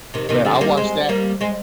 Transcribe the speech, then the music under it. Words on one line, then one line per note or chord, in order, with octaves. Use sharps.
Man, I watched that
C3 D#3
C3 D#3
D3 F3
C4
G3 A#3
G#3 C4
G3 A#3
G#3 C4